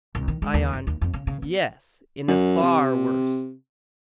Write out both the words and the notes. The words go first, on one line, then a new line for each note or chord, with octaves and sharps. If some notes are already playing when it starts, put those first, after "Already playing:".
ION: Yes, in a far worse.
C2
D#3
G#3
D#2
F#1
D#2
F2
C#3
C#3
B3
F#2
C3